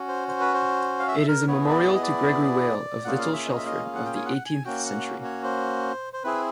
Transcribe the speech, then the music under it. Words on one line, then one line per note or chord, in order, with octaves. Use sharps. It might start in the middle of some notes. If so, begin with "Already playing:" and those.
It is a memorial to Gregory Wale, of Little Shelford, of the eighteenth century.
Already playing: C#4 F#4
C5
C5
B4
C5
F5
E5
A#4
B3 E4 G#4 C#5
D5
D5
D#5
D5
A#3 C#4 F4 G#4 F#5
F5
E5
D#5
E5
D#5
F5
F#5
G5
G#5
F#5
G#5
A#3 C#4 F#4 G5
F#5
C#5
C5
C5
C4 E4 G#4 B4